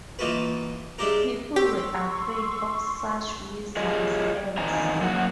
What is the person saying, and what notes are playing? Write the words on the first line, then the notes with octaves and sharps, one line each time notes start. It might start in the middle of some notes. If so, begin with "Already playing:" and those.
People were afraid of such wizard's eggs.
E3 A#3 D#4 F4 F#4 B4
G#3 D4 E4 G4 A#4
G4 C6 C#6 E6
F4 G4 G#4 D#5
E2 D#3 F3 D#5 G#5 A#5
F#2 A#3 F#4